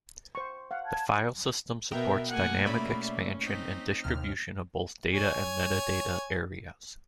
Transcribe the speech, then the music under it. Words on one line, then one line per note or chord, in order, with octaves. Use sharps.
The file system supports dynamic expansion and distribution of both data and metadata areas.
C5 C#6
F5 F#5
A5 G#6
B2 B3 A#4 E5 G5
B2 A3 A#3 F#5 G#5
C#4 D5 E5 B5
C4 D#4 B6
D#2 C3 F6
C#5 G#5